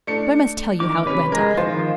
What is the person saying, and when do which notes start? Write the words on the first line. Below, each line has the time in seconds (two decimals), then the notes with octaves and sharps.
But I must tell you how it went off.
0.07 A3 D4 C#7
0.80 D#3 D6
1.07 C3 C#4 B4
1.32 G#3 A#4 A#6
1.57 D#3 F3 F4 C5